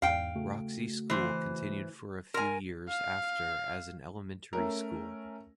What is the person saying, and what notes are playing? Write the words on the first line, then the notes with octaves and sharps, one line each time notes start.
Roxie School continued for a few years after as an elementary school.
E2 G#2 F5 G5
C#3 A3 F#4
E3 C5
A#4 G#5 C6
F5
A3 C#4 A#4